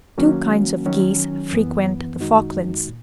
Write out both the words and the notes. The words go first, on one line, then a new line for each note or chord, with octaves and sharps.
Two kinds of geese frequent the Falklands.
D#3 F#3 A#3 C#4 F#4
D#3 F#3 C#4
F#2 E3 B3
F#2 D#3 G#3 D#4 F#4
A#2